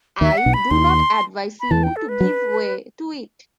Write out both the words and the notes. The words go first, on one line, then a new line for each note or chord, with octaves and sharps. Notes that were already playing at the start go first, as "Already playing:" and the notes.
I do not advise you to give way to it.
D#2 D#3 E5
F#5
B1 B2
B5
D#2 D#3 C6
B5
E2 E3 A5
G5
A4
B4
F#3